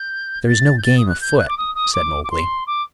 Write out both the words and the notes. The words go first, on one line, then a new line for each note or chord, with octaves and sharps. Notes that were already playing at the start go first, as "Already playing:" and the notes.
"There is no game afoot," said Mowgli.
Already playing: G6
A6
G6
A6
D#6
F#6
G6
F#6
D6
D#6
D#6
D6
D6
C6
D6